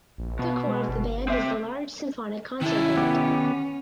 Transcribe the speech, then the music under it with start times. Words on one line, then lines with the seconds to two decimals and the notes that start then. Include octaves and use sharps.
The core of the band is the large symphonic concert band.
0.18 A#1
0.39 B2 B3
0.67 G#3
0.89 G1
1.28 C4 E5
2.62 D#3 C#4 E4 A4
2.97 B3 G4